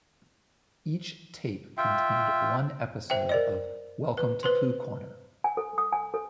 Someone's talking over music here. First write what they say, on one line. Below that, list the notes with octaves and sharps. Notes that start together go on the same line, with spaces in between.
Each tape contained one episode of "Welcome to Pooh Corner".
F4 E5 G5
C5 E5 G5
A#4 D5 D#5
B4
B4 C5 C6
G#5
A4
D#6
G#5
A4